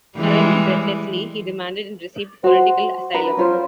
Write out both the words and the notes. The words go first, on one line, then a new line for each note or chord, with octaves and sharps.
Arriving breathlessly, he demanded and received political asylum.
E3 G3 G#3
F#4 C5
D4 A#4 B4
C#4 F4 C5